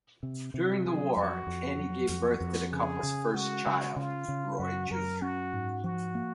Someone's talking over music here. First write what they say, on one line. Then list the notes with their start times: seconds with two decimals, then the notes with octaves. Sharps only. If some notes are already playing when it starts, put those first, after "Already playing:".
During the war, Annie gave birth to the couple's first child, Roy junior.
0.23 C3
0.54 C3
0.85 F#3 G#4
1.16 F2 F#4
1.47 F2
1.79 F#3
2.09 F2
2.41 F2
2.72 C#3 G#4
3.03 C#3
3.34 G#3 F#4
3.66 C#3
3.96 C#3 F4
4.28 C#3
4.59 F#2 F#4
4.91 F#2 A#4
5.22 C#4 F#4
5.53 G#2
5.84 F3 F#4
6.15 A#3